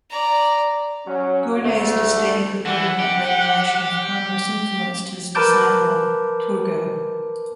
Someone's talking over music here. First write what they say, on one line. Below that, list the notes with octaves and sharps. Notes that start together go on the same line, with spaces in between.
Gournay's disdain for government regulation of commerce influenced his disciple Turgot.
D5 A#5
F#3 C#4
D2 A3
E3 F#5
G4
A#4 B4 A5 D6 G6